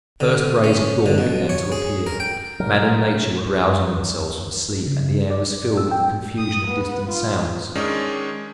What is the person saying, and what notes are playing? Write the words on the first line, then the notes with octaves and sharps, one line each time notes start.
The first rays of dawn began to appear: man and nature were rousing themselves from sleep and the air was filled with the confusion of distant sounds.
D3
C#4
D3
B2
C#5
G#4
A#4
G5
B2 F#3 A#4
F#2
C#3
D5
E6
G5
D#6
B3
F4
D#3 G#3 C#4 D4